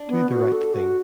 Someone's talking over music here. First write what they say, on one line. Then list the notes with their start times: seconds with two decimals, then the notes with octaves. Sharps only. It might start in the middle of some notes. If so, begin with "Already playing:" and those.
Do the right thing.
Already playing: D4
0.08 B3
0.30 F#4
0.52 A4
0.74 F#4